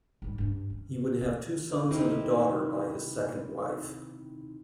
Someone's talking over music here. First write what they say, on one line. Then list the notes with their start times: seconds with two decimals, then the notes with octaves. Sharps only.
He would have two sons and a daughter by his second wife.
0.22 G#2 G3
0.38 G2 D4
0.70 C#4
1.22 E3
1.90 C3 D#3 C4 D#4 E4 G4